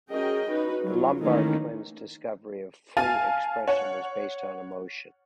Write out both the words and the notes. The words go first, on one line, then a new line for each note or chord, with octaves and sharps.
The Lombard Twins’ discovery of "Free Expression" was based on emotion.
C#4 F#4 G#4 A#4 D#5 G5
C#4 D#4 F#4 B4
F#3 F4
D#3 E3 A3 A#3 C#4 E4
F5 G#5 A5 F6 A6 D#7
C#5 F#5